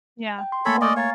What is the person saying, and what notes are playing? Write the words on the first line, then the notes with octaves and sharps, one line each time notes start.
Yeah or
G5
C6
A3 A#3 A4 C#5 G#5 B5
D5 D#5 G#5 C#6 F6
C#5 F5 A#5 A6